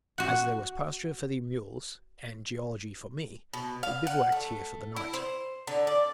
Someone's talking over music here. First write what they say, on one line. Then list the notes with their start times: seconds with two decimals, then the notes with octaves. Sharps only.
As there was pasture for the mules, and geology for me, we bivouacked here for the night.
0.18 F#4 F#5
3.53 B2
3.83 F5
4.07 F#5
4.32 A3
4.96 E4
5.14 C5
5.67 D3
5.87 D5